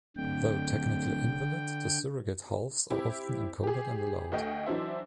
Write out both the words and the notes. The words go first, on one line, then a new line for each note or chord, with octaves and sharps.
Though technically invalid, the surrogate halves are often encoded and allowed.
D1 D3 G5
C4 E4 G4
G4 G#4
D2 A3 D#5 G5
E3 F#3 D4 D#4 C5 E5